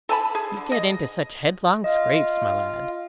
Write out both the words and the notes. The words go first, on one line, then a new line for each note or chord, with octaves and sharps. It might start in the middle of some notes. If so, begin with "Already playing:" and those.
"You get into such headlong scrapes, my lad."
A4 G#5 A5 B5
G#4
D3
D#5
F4 D#5